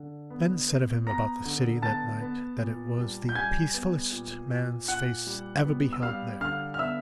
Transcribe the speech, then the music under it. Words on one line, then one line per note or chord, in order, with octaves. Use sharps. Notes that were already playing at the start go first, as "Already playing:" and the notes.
Men said of him about the city that night that it was the peacefullest man's face ever beheld there.
Already playing: D3
B3
B3
B3 A#5 A#6
D3
B3 A5 A6
B3
A#2
G3
G6
G3 G#5 G#6
B3
A#2
A#2
A#2 F#5 F#6
G3
B3
E6
G3 F5 F6
D3 F5 F6
F6
B3 E5 E6